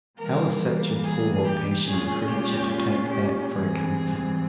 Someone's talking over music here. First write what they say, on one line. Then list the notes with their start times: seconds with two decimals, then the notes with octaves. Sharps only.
How was such a poor passionate creature to take that for a comfort?
0.19 E3 G3 A#3 A#4
1.02 G#4
1.44 G4
1.86 A#2 G#3 C#4 F4 G#4
2.28 G4
2.70 F4
3.11 G4
3.53 G#2 E3 G3 C4 G#4